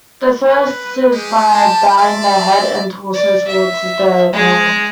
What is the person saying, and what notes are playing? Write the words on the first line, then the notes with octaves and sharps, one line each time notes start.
The first is by bowing their head and torso toward the male.
B4
G#3 G4
A5
D5 E5
D5
E5
G#3 G#4